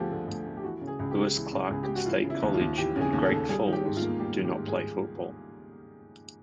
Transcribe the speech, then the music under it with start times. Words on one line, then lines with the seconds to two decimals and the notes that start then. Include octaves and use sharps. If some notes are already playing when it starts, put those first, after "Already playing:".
Lewis-Clark State College and Great Falls do not play football.
Already playing: D2 D3 F3 A3 G4 G#4
0.11 D3
0.28 D2
0.47 A3
0.57 G4
0.64 E3 F#4
0.81 C#3
0.87 G#4
0.99 C#2
1.11 G4
1.18 G#3
1.36 E3
1.53 C#3
1.70 C#2 G#4
1.83 G#3 G4
1.96 F#4
2.06 E3 F4
2.24 C#3
2.30 E4
2.42 D#2
2.54 F4
2.60 D#2
2.77 E3 G4
2.96 C#3
3.01 G#4
3.13 D#2
3.26 A4
3.31 D#2
3.49 G3 G#4
3.67 D#3
3.73 G4
3.85 G#2
3.97 F4
4.02 A#3
4.20 G3 G4
4.38 D#3
4.45 G4
4.55 G#2
4.68 G#4